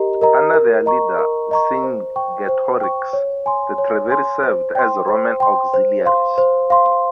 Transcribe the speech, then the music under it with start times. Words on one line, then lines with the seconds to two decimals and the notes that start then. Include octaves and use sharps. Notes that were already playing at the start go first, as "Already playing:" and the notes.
Under their leader Cingetorix, the Treveri served as Roman auxiliaries.
Already playing: G4 A#4 D#5 A#5
0.21 A#4 D#5 A#5
0.54 A#4
0.86 D#5 A#5 C#6
1.19 A#4
1.51 D#5 A#5 C#6
1.83 C5
2.16 G5 C#6
2.49 C5
2.81 G5 C#6
3.13 C#5
3.46 G#5 C6
3.78 C#5
4.11 G#5 C6
4.43 C5
4.75 G5 C6
5.08 C5
5.40 G5 C6
5.74 C5
6.06 F5 C6
6.38 C5
6.70 F5 C6